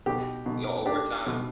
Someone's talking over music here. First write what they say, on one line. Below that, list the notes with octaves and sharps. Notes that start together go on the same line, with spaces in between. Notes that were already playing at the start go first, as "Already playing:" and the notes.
Right, yeah, over time.
B2 G4
B2
D4 G4
B2